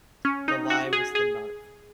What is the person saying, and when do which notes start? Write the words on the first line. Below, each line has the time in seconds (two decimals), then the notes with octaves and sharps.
The Lie was the Nark.
0.25 C#4
0.48 D#4
0.70 F#4
0.93 G#4
1.15 G#4